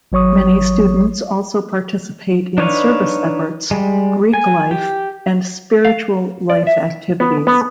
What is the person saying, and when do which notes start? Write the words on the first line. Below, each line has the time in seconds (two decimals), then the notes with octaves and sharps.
Many students also participate in service efforts, Greek life, and spiritual life activities.
0.12 G#1 F#3 C#5 C#6 D#6
2.58 D4 D#4 B4 C#5 F5
3.71 G3 G#3
4.33 G#5
4.71 G4
5.85 F5
6.50 D5
6.67 E5
7.20 B3
7.47 B3